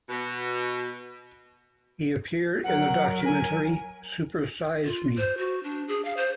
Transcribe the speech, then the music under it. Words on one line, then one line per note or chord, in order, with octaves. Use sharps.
He appeared in the documentary "Super Size Me".
B2
F#3 A#4 F#5
G#5
F4
C5
F#4
D4
G#4
F5
C5